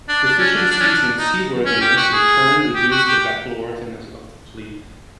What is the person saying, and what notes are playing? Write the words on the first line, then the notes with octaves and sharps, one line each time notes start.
Deficiencies in seaworthiness in turn reduced the battle-worthiness of the fleet.
D4
D4
C#4
D4
D4
C#4
D4
D#4
C#4
G4
F#4
G#4
G4
F#4
G4